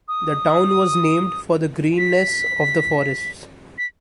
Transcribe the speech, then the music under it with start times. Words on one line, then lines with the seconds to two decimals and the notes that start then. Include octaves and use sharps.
The town was named for the greenness of the forests.
0.08 D#6
1.98 B6
3.78 B6